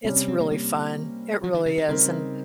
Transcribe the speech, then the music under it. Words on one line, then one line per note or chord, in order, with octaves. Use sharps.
it's really fun, it really is, and
C3 G3 C4 C#4
C4
C4
A#3
A#3
F3
D#3
C#3
D#3
C#3 G3 C4 D#4 A#4